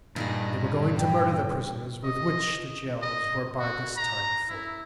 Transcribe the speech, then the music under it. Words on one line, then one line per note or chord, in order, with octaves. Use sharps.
They were going to murder the prisoners with which the jails were by this time full!
G2 A#2 D#4 G#4
G5
D#5
D#5
F#4
A#5
E4